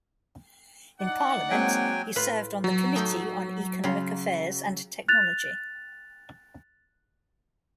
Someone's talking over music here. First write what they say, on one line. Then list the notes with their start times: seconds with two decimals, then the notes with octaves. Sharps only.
In parliament, he served on the Committee on Economic Affairs and Technology.
1.00 D#4 D5 F#5
1.50 F#3 G#3 A#3 C4 G5 G#5
2.16 A2 F4 B4
2.64 F#3
2.96 A3 D#4 G5
3.84 C#3 F4
5.08 F#6 A6 F7